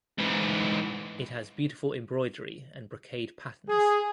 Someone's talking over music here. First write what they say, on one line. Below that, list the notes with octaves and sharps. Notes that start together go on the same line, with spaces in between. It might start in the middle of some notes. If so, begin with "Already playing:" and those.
It has beautiful embroidery and brocade patterns.
G#2 E3
G#4